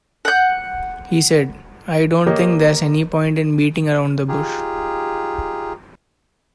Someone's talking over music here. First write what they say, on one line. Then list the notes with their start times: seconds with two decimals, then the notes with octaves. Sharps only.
He said: I don't think there's any point in beating around the bush.
0.25 F#5 G6
2.26 A#3 G4 A#4 C#5 D#5
4.28 D#4 F4 G4 G#4